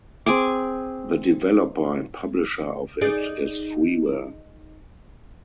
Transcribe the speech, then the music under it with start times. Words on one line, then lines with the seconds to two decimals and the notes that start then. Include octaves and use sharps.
The developer and publisher of it is freeware.
0.26 C4 G#4 G#5 D6
3.01 D#4 G#4 D5